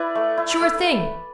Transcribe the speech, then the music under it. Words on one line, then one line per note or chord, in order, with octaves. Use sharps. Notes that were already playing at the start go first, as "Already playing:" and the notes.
Sure thing.
Already playing: E4 B4 D5
A3
E4
A3